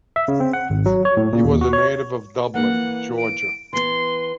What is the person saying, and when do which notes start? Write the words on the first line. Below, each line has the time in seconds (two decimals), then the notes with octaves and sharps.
He was a native of Dublin, Georgia.
0.16 E5
0.28 C#3
0.40 C4
0.53 F#5
0.70 G#1
0.86 F#3
1.05 C#5
1.17 A2
1.33 A#2
1.44 D#2
1.61 F#4
1.73 C#5
2.54 E3 A#3 F#5
3.18 D7
3.73 E3 B3 C6